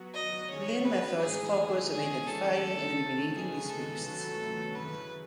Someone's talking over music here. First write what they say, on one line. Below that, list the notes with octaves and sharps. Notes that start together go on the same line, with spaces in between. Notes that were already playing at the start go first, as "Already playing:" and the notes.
Lean methods focus on identifying and eliminating these wastes.
Already playing: F#3 B3 F#4
D#5
D#3 F#3 C#4 G#4 C#5
B4
A2 E3 G#3 D#4 G#4
E3 G#3 C#4 G#4
A4
D#2 D#3 A3
D#2 C#3 G#3 B3 D#4 G#4
A4
F#3 A3 C#4 F#4 A4 B4
F#2 C#3 E3 B4